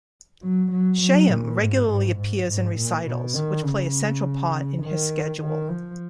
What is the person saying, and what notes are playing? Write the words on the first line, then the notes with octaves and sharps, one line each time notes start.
Shaham regularly appears in recitals, which play a central part in her schedule.
F#3
F#3
F#3
A#2
G#2
G#2
G#2
G#2
A#2
B2
D#3
C#3
D#3
D#3
F3